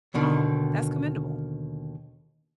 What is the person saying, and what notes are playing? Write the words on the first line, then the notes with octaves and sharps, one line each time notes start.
um, that's commendable
D#2 B2 D3 D#3